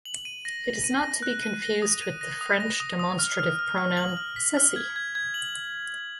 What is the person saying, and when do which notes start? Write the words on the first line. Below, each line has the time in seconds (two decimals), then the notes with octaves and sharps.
It is not to be confused with the French demonstrative pronoun "ceci".
0.05 F#7
0.25 D#7
0.45 A#6
0.64 A#6
0.84 D#7
1.03 A#6
1.23 F#6
1.43 D#7
1.62 A#6
1.82 D#6
2.02 D#7
2.21 A#6
2.41 D#6
2.60 A#6
2.80 D#6
2.99 D#6
3.19 F6
3.39 F6
3.59 F6
3.78 F6
3.97 F#7
4.17 F6
4.36 B6
4.57 F6
4.76 G#6
4.96 G#6
5.15 G#6
5.34 F#7